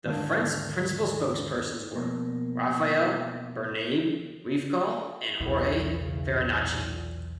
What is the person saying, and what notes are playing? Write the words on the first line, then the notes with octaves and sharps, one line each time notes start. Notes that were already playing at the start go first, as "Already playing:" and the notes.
The Frente's principal spokespersons were Rafael Bernabe Riefkohl and Jorge Farinacci.
D#2 G#2 D3 D#3 A#3 D4
F2 B2 A#3
B1 E2 E4
C#3
A#2